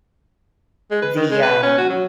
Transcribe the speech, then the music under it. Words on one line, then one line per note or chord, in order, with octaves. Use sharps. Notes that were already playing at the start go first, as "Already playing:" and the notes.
the, um
G#3
B4
D#3
G#3
B4
C#4
F#4
F#3